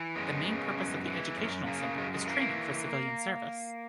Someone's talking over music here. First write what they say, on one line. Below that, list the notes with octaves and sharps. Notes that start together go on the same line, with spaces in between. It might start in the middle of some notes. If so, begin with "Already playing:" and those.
The main purpose of the Educational Center is training for civilian service.
Already playing: E3
F#2 G#3 B3
C#3
F#2
E3
F#2
C#3 A#3
F#2 G#3
G#3
E3 A#3